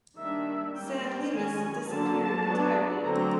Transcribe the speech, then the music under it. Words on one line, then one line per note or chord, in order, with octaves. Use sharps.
"San Lesmes" disappeared entirely.
D#3 G3 A#3 D4 E5
G3 A#3 C#4 G5
G5
D#3 G#3 C#4 G#5
D3 F#3 A#3 A5
F#3 B3 D4
D3 F#3 A3 C4 A#5